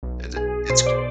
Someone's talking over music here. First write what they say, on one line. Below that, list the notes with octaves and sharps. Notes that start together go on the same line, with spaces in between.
Is it it's
B1
B1 G#4
B2 C5
D5